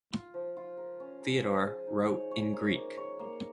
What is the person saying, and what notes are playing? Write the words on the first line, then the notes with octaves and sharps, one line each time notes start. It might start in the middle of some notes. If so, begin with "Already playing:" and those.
Theodore wrote in Greek.
F4
F3
F4
A#4
C#4
A#4
F3
G#4
D#4
C#5
C#5
A#3
A#3
C#5
A#3